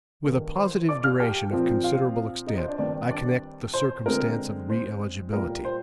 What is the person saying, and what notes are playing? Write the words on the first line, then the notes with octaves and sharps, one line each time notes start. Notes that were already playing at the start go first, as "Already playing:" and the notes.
With a positive duration of considerable extent, I connect the circumstance of re-eligibility.
G2 D#3 A#3
C5 C6
D5 D6
F5 F6
G4 G5
A#2 F3 C4
F4 F5
D#4 D#5
C5
D4 D5
G2 D#3 G3 C4 D4 D5
D4 D5
C5
D3 G#3 C4 A#4
C5
A#2 G3 A#3 A#4
C5